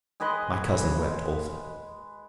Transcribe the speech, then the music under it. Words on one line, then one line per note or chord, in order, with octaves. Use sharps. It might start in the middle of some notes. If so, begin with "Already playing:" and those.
My cousin wept also.
G#3 G#4 B4 D#5